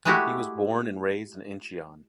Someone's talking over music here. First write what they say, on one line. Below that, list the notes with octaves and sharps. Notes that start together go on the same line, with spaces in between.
He was born and raised in Incheon.
G#3 A3 E4 F#4 G4